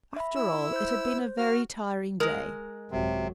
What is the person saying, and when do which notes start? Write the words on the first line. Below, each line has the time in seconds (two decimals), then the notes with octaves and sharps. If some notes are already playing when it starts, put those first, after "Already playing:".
After all, it had been a very tiring day.
0.16 E5 B5
0.36 E4 E6
0.73 C5 G6
1.38 F#4 F6
2.20 G#3 A#4
2.91 G#1 F#2 C3 F#3